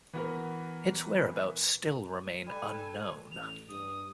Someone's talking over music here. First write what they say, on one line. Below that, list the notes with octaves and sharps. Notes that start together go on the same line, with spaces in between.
Its whereabouts still remain unknown.
E3 B3 F#4 A#4 B4
G3 A4 B4 G#5
A1 F7
G2 D#6